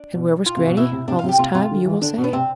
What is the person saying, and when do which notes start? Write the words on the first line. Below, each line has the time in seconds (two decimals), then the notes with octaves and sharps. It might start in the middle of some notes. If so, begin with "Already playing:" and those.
And where was Grannie all this time, you will say?
Already playing: D4
0.15 B2
0.46 F4
0.57 C3
0.66 B2
0.77 B2 E4
0.92 C3
1.08 C3 D4
1.19 F4
1.24 C3
1.29 G4
1.39 C3 F4
1.55 C3 F4
1.71 D3
1.85 E3
2.01 D3 D4
2.18 B2
2.24 B3
2.33 C3 C4